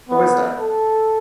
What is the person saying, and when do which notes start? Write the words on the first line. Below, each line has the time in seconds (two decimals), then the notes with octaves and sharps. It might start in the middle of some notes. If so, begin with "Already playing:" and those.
Who is that?
0.09 B3
0.59 A4